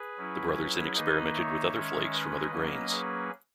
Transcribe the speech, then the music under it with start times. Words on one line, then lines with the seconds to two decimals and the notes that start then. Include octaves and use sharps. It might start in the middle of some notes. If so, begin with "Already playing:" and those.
The brothers then experimented with other flakes from other grains.
Already playing: G#4 B4
0.18 F#3 C#4 E4
0.95 D#3 A#3 D#4 B4 D#5
1.34 C#5 E5
1.74 D#3 G#3 C#4
2.12 B4 D#5
2.52 F#3 A#3 C#4
2.90 G#4 B4